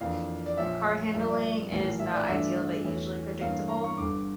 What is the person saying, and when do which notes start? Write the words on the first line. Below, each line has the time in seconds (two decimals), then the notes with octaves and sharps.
Car handling is not ideal, but usually predictable.
0.01 F2 E3 A#3 D4 F5
0.46 D5
0.57 A#1 A#2 F3 C#4 E5
1.14 G2 F3 A#3 D4 E5
1.29 D5
1.72 A#1 A2 E3 A#3
1.99 E5
2.13 D5
2.27 G2 E3 A3 D4 E5
2.84 E2 E3 A3 C#4
3.41 G2 E3 A#3 C#4 F5
3.69 A#5
3.84 C#6
3.97 G1 G2 D3 D6